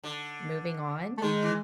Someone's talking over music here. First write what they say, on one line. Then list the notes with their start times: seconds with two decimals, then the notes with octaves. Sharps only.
moving on.
0.04 D3
1.17 A3
1.22 D#3 G#3
1.43 E3